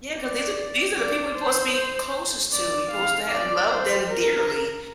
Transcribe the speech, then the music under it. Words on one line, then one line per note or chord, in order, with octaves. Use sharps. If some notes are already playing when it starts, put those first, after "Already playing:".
Yeah, 'cause these are these are the people we're 'posed to be closest to, you're 'posed to have loved them dearly.
D5
D5
C5
D5
F5
D5
C5
A#4